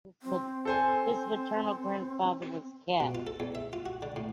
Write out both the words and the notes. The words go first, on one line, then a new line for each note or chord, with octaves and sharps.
His maternal grandfather was Capt.
C4
A4 C5 G#5
B2
F4
A4
E2
E5
F4
F#4
D3
A2